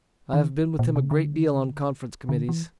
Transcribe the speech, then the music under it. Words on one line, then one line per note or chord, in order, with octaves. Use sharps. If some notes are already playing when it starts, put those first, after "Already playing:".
I have been with him a great deal on conference committees.
D#3
A#2
B2
C3
C#3
D3
D3
E3